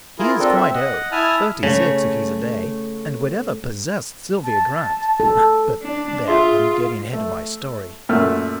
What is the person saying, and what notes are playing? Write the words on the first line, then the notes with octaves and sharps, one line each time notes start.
He is quite old--thirty-six if he's a day, and whatever possessed Sylvia Grant--but there, I'm getting ahead of my story.
E4 F4 G#4 A#4
C4 D4 F4 A4 A#4
C4 E5
D#5 F#5
E4 E5 G#5 A5 D#6 F6
C#3 A3 C#5
A5
A4
D4
F4 G#4 E5 C6
A3
F#2 A#2 A3 F6